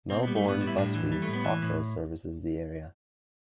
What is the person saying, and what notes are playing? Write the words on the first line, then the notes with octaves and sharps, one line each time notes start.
Melbourne bus routes also services the area.
B2 C4
G3 B3
A3
A2 B3
G3
E4
A2 D4
E3
G3
A3
A2
B3
E3
A2